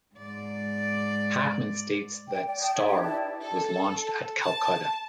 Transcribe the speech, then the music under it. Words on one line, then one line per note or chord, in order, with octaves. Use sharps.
Hackman states that "Star" was launched at Calcutta.
G#2 D5
G5
D5
G5 A5 D#6 G6
C#5 E5
D4 D#4 G4 E5
E4 B4 D5 A5
A4
A5